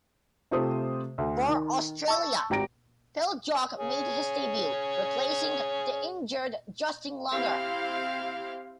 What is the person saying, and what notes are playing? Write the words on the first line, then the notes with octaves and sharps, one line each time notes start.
For Australia, Phil Jaques made his debut, replacing the injured Justin Langer.
C3 A3 F4 G4 C5 D#6
D2
D#3
A5 C#6 E6
G#1 G4 G5 A#5 A#6 D7
G#4 C#5
C4 E4 G4 F5